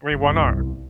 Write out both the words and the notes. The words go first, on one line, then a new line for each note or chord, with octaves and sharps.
I mean, why not?
G1
C2
C2